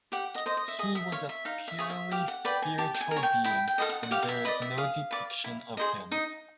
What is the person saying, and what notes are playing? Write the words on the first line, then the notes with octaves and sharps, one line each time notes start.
He was a purely spiritual being and there is no depiction of him.
G4 F#5
D#5
C5 D#5
D#5
E5
G#4 D#5
E5
C#5 F5
E5
D#4 F5
E5
G#4 C#5
E5
G4 F5
F#5
B4 D5 G5
G#5
G4 A5
G5
G#5
A#4
C#5
G5
E4 G5
G5
A4 C5 D#5 F5
F#5
F#5
G4 F5
F5
E5
B4 D5 D#5
E5
G#4 F5
B4 D5
E4
G#4 C5 D#5
D#4